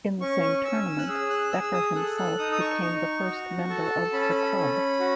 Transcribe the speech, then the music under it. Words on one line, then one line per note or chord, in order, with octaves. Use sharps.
In the same tournament, Becker himself became the first member of the "club".
C#4 C#6
C#4 E6
F#6
G#4 E6
F#6
G#4 E6
D#6
A4 F#6
F#6
D#4 D#6
D#6
C#6
D#4
F#4
A4 A5
C#4 B5
A5
B5
C#4
F#4